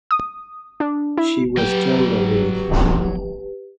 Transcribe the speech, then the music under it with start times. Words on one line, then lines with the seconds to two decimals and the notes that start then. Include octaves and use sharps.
She was turned away.
0.11 D#6
0.80 D4
1.18 E4
1.57 F#3 G4 B4 G5